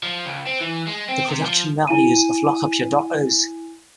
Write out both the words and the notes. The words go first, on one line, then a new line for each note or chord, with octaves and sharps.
The production values of Lock Up Your Daughters!
F3
C#2
C4
E3
G#3
C4
C3
F3
E4 G#5 D#7